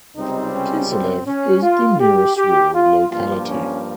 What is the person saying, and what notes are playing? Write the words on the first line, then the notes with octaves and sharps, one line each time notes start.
Kiselev is the nearest rural locality.
C#2 C3 G3 C4 D#4
C#4
C4
C#4
F4
G4
G4
F4
G2 F3 A#3 F4
C#4